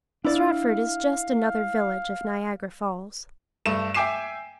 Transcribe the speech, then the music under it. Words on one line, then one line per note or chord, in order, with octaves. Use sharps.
Stratford is just another village of Niagara Falls.
D4 E4 D5 F5
G2 A3 E7
E5 G5 G#5 D6 C7 E7